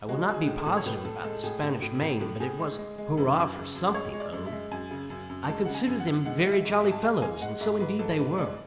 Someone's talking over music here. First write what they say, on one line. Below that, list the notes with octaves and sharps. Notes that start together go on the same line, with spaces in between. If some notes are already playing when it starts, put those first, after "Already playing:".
I will not be positive about "the Spanish Main," but it was hurrah for something O. I considered them very jolly fellows, and so indeed they were.
G#3 F#4
G#3 F#4
G#4
A2
A4
A2
C#5
A2 B4
A2 A4
G#3 A4
A2 G#4
A2
A2
A2
A2
A2 G#4
G#3
G#3
G#3
F#2 B4
F#2
C#3
F#2
G#3 C#5
G#3
D5
F#2
E5
G#3
F#2 G#5
C#3
F#2
F#2
G#3 A5
C#3 F#5
G#5
F#2
F#5
F#2
G#3 F#5
G#3
E5
G#2
E5
G#2
A5
G#3 G#5
G#3 G#5
G#3 F#5
G#2 E5
G#2 B4
G#2 A4
G#2 B4
G#3 D5